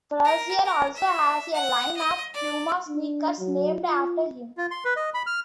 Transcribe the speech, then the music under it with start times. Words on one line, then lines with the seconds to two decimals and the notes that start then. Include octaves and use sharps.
Frazier also has a line of Puma sneakers named after him.
0.25 A#4
0.65 A#4
0.96 E5
1.53 F#5
1.97 D#5
2.34 D5
2.88 D4
3.39 F#3
3.82 F4
4.57 F4
4.71 C6
4.85 B4
4.96 D#5
5.14 B5
5.26 F6